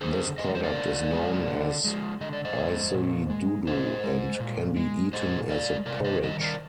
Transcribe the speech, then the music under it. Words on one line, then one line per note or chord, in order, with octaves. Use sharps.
This product is known as isidudu and can be eaten as a porridge.
D3 G#4 C5
F3 G#3 D#5
D5
C5
A#4 D5
D3
F3 G#3
D3
F3 G#3
D3 D#5
D5
C5 D#5
F3 G#3
A#2
G#3
A#2 C5 D#5
G#3
A#2
G#3
A#2 C5 D#5
G#3 A#4 D5
C3 A#4 D5
C5 D#5
D#3 G3 C5 D#5
A#4 D5